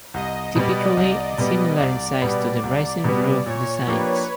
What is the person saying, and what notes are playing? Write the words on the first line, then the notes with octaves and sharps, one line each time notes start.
Typically similar in size to the rising roof designs.
C2 D#5
B2 G3 B3 D5
C2 D#5
B2 G3 B3 D#5
C2 D5
B2 G3 B3
C2
B2 G3 B3
A#2 C#5
F3 A#3 D4 G4 B4